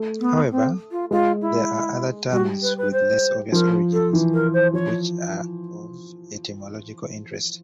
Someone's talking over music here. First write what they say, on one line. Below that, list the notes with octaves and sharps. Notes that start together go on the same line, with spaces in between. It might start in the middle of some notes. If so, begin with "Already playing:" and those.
However, there are other terms with less obvious origins, which are of etymological interest.
Already playing: A3
B3
C4
F4
G#3 F4
E4
G3 F#4
B4
B4
C5
F3 A#4
A4
E3
A#4
C5
F3 C#5